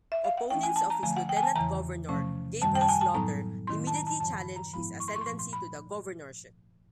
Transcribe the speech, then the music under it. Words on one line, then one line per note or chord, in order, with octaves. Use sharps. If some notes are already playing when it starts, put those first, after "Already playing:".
Opponents of his lieutenant governor, Gabriel Slaughter, immediately challenged his ascendancy to the governorship.
E5
F5
F#5
E3 A3 C#4 E4 G5
G#5
A5
A#5
D3 F3 A3 G#5
F#5
G5
G#5
A5
E2 C#3 E3 A#5
C3 F3 A3 C#4
F#2 D#3 G3 A5
G5
A5
G#5
A5
A2 F#3 B3 D#4 A#5
D#3 G#3 C#4 E4 C6
A5
A#5
A5
F#2 C#3 F3 A5
B5
A#5
G#2 F3 G#3 B3 E4 B5
C#6
C6
C#6
C6
A#2 F3 A3 C#6
C6
B5